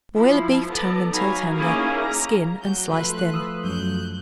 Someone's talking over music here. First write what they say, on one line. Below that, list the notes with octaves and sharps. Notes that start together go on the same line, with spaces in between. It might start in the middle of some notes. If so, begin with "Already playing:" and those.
Boil a beef tongue until tender; skin and slice thin.
F3 E4
B3 A4 D5 A#5
F#3 D#4 F5 G#5 A#5 B5
A#3 C#4 D#4 E4 G#4 A#4
A#5
F#3 G6
F3 A3 B4 C6 F#6
D#6 E6
F#2 F#3 F#6 G6